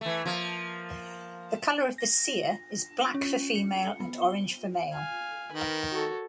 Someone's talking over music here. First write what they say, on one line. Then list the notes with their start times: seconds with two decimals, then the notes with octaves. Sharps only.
The colour of the cere is black for female and orange for male.
0.01 E3 A3
0.25 F3 A#3
1.98 A#6
3.14 C#4
3.55 C#7
4.00 B3
4.22 G7
4.93 F5 G#5
5.52 D#3 A#4 B4
5.92 F#4 A4 C#5